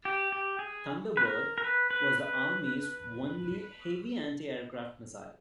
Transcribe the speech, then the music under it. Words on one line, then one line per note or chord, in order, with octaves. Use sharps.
Thunderbird was the Army's only heavy anti-aircraft missile.
G4
G4
G#4
B4
A#4
A#4
B4
B4
B4